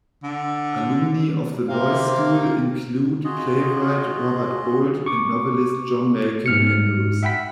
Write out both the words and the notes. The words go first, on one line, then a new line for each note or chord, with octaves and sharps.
Alumni of the boys' school include playwright Robert Bolt and novelist John Malcolm Andrews.
D3
C3 A#3 F5
F4 F#4 G#4 D#5
C#6 D6
G#2 F6 C#7
E5 F#5 G5 B5 B6